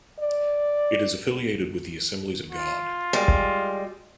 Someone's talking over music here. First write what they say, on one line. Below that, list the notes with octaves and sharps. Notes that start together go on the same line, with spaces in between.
It is affiliated with the Assemblies of God.
D5
F4
G3 G#3